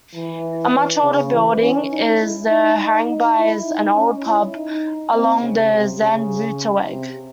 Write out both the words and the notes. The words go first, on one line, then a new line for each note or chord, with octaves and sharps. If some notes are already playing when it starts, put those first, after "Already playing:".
A much older building is the "Haringbuys", an old pub along the Zandvoorterweg.
E3
C#3
E3
C#4
D#4
E4
D#4
D#4
D#4
E4
D#4
C#4
E4
D#4
C4
C#3
C3
C#3
C3